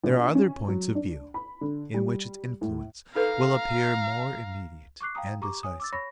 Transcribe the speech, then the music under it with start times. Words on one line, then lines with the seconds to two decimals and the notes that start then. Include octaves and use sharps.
There are other points of view, in which its influence will appear more immediate and decisive.
0.04 A#1
0.35 C#4
0.68 F#3
0.95 D4
1.34 B5
1.61 D3
1.94 G3
2.61 A2
3.15 D#4 A4 B4 F5 A#5
5.01 C#6 D6 F#6 C7
5.15 F5 G5 A5 A#5 D#6
5.41 G4 A#5 C#6 D6
5.63 C#5 G#5 D#6
5.80 D6 E6 A6
5.93 C#5 B5 C#6 A#6